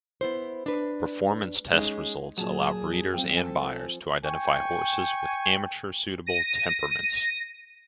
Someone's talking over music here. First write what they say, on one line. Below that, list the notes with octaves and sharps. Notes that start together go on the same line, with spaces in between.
Performance test results allow breeders and buyers to identify horses with amateur-suitable temperaments.
B3 E4 C5
D4 B4
G#3 C#4 D#4
A#2 F#3 G#4 A5 E7
F3 C4 G5
A4 G#5
G5 G#5 C#6
A#6 D#7